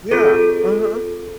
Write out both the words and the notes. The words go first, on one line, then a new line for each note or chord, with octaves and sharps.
Yeah. Uh-huh.
F2 F4 G#4 A4